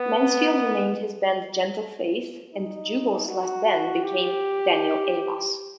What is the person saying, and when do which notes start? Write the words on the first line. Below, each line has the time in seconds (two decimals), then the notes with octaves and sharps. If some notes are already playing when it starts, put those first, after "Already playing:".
Mansfield renamed his band "Gentle Faith", and Jubal's Last Band became Daniel Amos.
Already playing: B3
2.53 D#4
3.28 F#4
3.65 F#4
4.03 G4